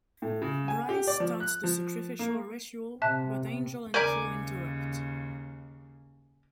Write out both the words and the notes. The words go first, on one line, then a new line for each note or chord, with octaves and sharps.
Bryce starts the sacrificial ritual, but Angel and crew interrupt.
A2
C#3
G#5
G4
D5
F3
F#6
F3
A#3
C3 E5 A5 F#6
D#2 C#3 A#4 D5 G#5 A#5 D6